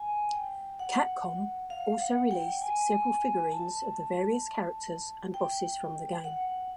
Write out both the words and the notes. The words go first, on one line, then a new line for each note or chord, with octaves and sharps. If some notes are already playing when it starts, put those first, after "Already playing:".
Capcom also released several figurines of the various characters and bosses from the game.
Already playing: G#5
G5
F#5
F5
F#5
G5
G#5
A5
G5
F#5